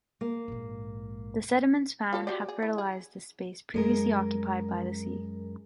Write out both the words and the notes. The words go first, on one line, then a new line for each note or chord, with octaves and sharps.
The sediments found have fertilized this space previously occupied by the sea.
A#3
A#1 G#2
F4 A4 C#5
F#4 G4 D5
G#4
E4
G#4
F#2 G#3 A#4